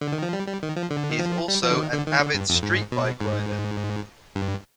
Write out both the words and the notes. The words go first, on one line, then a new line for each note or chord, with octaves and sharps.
He is also an avid street bike rider.
D3
D#3
F3
G3
G3
D#3
F3
D3
D#3
F3
G3
F3
D3
D#3
D3
D#3
D3
G2
F2
G#2
B2
G#2
G2